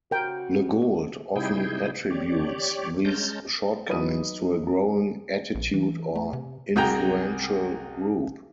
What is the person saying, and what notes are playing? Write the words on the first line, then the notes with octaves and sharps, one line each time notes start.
LeGault often attributes these shortcomings to a growing attitude or influential group.
C#3 F#4 A#4 G5
C3 G3 D#4 E4 G#4 G5
G4 C#5 D5
G#3 C#4 A5 A#5 G6
F#3 D#4 B4 D#6 D#7
A#1
E3
A3
C3
C2 F#4 G#4 G5 A#5